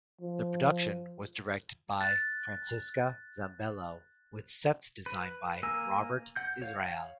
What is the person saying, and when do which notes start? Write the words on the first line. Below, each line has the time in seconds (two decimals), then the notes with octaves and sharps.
The production was directed by Francesca Zambello with sets designed by Robert Israel.
0.21 F3
2.01 F#6 A6
5.06 B4
5.63 A#3 A#4 G#5 E6
6.36 F#5 G6
6.62 C#5 F5